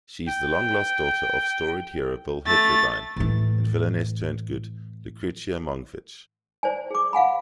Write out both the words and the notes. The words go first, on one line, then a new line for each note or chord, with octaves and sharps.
She's the long-lost daughter of storied hero Bill Heterodyne and villainess-turned-good Lucrezia Mongfish.
G5
A3 A6
A2 E3
C5 D5 G#5
G#4 D6
F5 F#5 G#5 B5